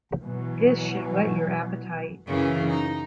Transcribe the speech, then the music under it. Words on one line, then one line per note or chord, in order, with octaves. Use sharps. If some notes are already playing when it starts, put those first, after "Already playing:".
This should whet your appetite.
B2 E3 F#3
F#2 C#3 E3
D#4